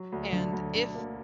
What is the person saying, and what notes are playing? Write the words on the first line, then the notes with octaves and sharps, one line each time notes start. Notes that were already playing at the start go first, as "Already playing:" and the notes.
and if
Already playing: F#3
D2
D3 F#3
D2
D3
A#3